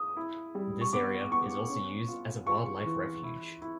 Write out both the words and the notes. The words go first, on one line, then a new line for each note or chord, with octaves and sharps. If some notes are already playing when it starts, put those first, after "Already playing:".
This area is also used as a wildlife refuge.
Already playing: D#6
E4
G3
C#6
B3 D6
B3 C#6
C#4
F4
F4 C#6
E3
E4
E4